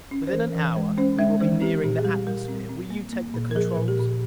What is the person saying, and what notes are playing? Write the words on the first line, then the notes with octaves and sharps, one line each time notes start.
"Within an hour we will be nearing the atmosphere. Will you take the controls?"
C#4
C5
E3 A#4
E3
G#3
C#4 C5
G#3 E5
E3 C5
C4 G4
A#2 G4
G#4
G3 G4
G3 A#4
C4
C4
A#3
A#3
A#2
A#4
F3 G#4
A#2
G4
A#2